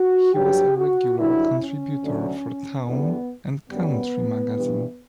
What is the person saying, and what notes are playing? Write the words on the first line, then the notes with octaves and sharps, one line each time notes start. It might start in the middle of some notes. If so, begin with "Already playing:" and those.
He was a regular contributor for Town and Country Magazine.
Already playing: F#4
G2 F#3 G4
F#4
G2 D3 F#3 E4
C#4
D2 D3 F#3
E2 D3 G3 B3
F#2 D3 G3 B3
G2 E3 G3